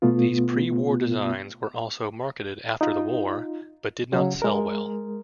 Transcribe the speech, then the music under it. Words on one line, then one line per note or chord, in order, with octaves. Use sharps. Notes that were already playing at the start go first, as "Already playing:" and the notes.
These pre-war designs were also marketed after the war, but did not sell well.
B2 A3 B3 F4
D#4 F4
C#3 F#3 C#4
G#3 A#4